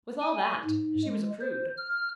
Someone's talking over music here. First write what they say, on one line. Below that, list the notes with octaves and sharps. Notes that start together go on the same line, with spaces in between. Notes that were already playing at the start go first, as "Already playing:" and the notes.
With all that she was a prude.
G#5
G#2
G#3
C5
F6